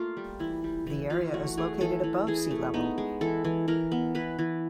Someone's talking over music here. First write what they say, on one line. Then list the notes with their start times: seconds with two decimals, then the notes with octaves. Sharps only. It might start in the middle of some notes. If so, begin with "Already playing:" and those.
The area is located above sea level.
Already playing: A3 A#3 F4
0.17 G3
0.40 E3 E4
0.64 G3
0.87 E3
1.10 E3 F4
1.33 A3 F#4
1.57 A3 G#4
1.81 E3 A4
2.04 E3
2.27 E3 G#4
2.51 A3
2.74 B3 D#4
2.98 G#3
3.21 E3 A4
3.45 E3
3.68 E3 A#4
3.92 B3
4.15 E3 B4
4.39 E3